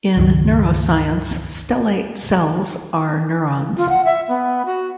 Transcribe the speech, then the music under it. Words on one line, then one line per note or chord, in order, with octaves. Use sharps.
In neuroscience, stellate cells are neurons.
C#2 G2 D#3 F#3
F4
F#5
E5
B3
F#4